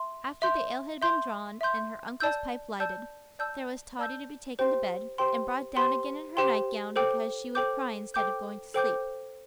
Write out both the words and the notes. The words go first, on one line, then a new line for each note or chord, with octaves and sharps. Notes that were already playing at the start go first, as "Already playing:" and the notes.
After the ale had been drawn and her uncle's pipe lighted, there was Totty to be taken to bed, and brought down again in her night-gown because she would cry instead of going to sleep.
Already playing: E5 C6
E5 C6 G6
E5 C6 G6
E5 C6 G6
D5 A5 E6 G6
D5 A5 E6 G6
D5 A5 E6 G6
D5 A5 E6 G6
G4 C5 G5 C6
G4 C5 G5 C6
G4 C5 G5 C6
G4 C5 G5 C6
A4 C5 G5 D6 G6
A4 C5 G5 D6 G6
A4 C5 G5 D6 G6
A4 C5 G5 D6 G6